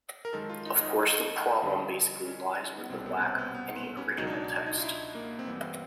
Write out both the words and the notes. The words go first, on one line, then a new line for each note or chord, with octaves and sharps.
Of course the problem basically lies with the lack of any original text.
A#4
F#2 D#3 G#3 A4
F4
D#4
D#4
F2 D3 G3
C#4
B3
C2 B2 G3 C4
B3
C#4
C4
B3
B3
B3
C#4
C#2 B2 F#3 D#4
D4
D#4
D#4
F4
E4
A#3
C4
G2 E3 G3 B3
C4